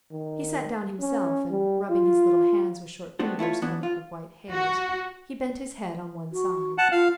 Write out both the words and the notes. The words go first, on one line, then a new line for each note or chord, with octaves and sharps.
He sat down himself, and, rubbing his little hands with short fingers covered with white hairs, he bent his head on one side.
D#3
C#4
G3
F4
A3 B3 C4 D4 F#4
A3 E4 F4 C#5
E3 B3 D4
F4
F#4
F#4
F#5 A5
F4 F5